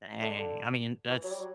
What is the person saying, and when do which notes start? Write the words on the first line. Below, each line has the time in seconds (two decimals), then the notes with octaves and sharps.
Dang. I mean, that's
0.21 D3
0.36 D3
1.09 E3
1.23 F#3
1.31 G3
1.39 F#3